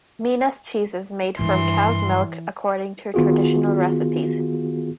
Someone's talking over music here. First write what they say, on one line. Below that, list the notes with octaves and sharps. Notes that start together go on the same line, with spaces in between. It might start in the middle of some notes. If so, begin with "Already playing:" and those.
Minas cheese is made from cow's milk according to traditional recipes.
G2 D#3 E3 C6
D#3 B3 F4 F#4 G#4